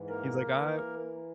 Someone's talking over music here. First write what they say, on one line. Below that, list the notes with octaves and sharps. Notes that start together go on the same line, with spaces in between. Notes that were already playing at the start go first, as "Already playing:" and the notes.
He's like, "I"
Already playing: G#2 E3
A#3 A#4
E3